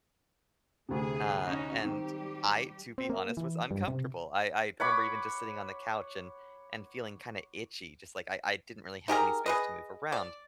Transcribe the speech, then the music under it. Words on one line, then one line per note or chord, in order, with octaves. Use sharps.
Uh, and I, to be honest, was uncomfortable. I I remember even just sitting on the couch and and feeling kinda itchy, just like I I didn't really have any space to move around.
D2 C3 A3 G#4
C#4 D#4 F#4
D#3 G3 C4 G4
C4
A#3
E3
G2
C3
C#5 F#5 B5 D6
D#4 G4 G#4 A#4
G#4 B4 D#5
D5